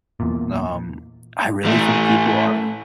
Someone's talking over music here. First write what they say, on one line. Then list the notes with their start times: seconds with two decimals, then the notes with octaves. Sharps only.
Um, I really think people are
0.20 E2 A#2
1.65 E3 A3